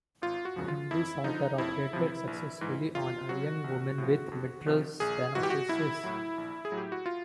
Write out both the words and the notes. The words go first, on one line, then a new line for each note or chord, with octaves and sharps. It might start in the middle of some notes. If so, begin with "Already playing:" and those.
Henry Souttar operated successfully on a young woman with mitral stenosis.
G#1 F4
F#4
F#2 C#3 F3
F4
F2 E4
D3 F3 D#4
F2 E4
C3 F3
A#1
G#2 E3
E2 F4
C#3 F#3 F#4
A#1
A2 F3
F2
C3 F3
A#1 G#4
G#2 E3 F#4
G4
F#4
B1 E4
A2 F#3
A#1
G#4
A2 F#3
G4
F#4
F4